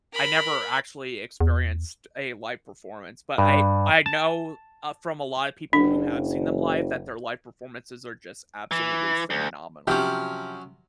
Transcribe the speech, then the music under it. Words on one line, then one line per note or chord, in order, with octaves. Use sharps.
I never actually experienced a live performance, but I I know, uh, from a lotta people who have seen them live that their live performances are just absolutely phenomenal.
A#4 B5
E2
G2
A5
F#1 D4
E3
D2
C3 F3 F#3 C#4 G4